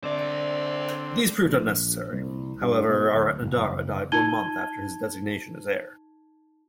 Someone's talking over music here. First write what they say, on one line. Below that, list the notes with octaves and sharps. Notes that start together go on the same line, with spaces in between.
These proved unnecessary, however, Aratnadara died one month after his designation as heir.
D3 C4 C5 D5
A#1
C2
G2
B2
D1
F#1
D#4 F4 A5 G#6 D#7 G7